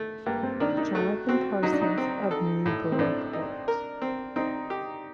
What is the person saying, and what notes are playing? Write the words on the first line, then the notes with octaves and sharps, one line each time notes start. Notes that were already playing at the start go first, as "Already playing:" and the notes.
Jonathan Parsons of Newburyport.
Already playing: A3
G2 A#3
C4
D#3 D4
D#4
A3 F#4
C4 F#4
F#3 D#4
D4
D#4
C4
A4
A2
C4
A2 D4
D#4
A#4
C4
C4 D#4
G4